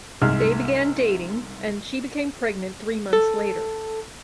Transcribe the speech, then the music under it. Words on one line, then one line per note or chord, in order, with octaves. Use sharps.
They began dating, and she became pregnant three months later.
C2 G#2 F6
A4